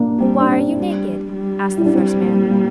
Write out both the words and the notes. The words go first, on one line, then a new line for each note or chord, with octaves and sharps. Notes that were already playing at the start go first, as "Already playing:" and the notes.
'But why are you naked?' asked the first man.
Already playing: A#3 D4
G3 C4
D4
D4
G3
G3
E4
D4
C4
A#3
A#3